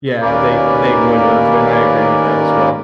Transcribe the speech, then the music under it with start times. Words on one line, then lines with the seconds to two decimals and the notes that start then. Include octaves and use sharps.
yeah. They they would have, and I agree with that as well.
0.22 D#2 A#3 C#4 A#4 B4 D5